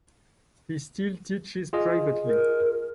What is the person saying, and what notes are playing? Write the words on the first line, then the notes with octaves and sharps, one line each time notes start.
He still teaches privately.
F4 G#4 D#5
A#4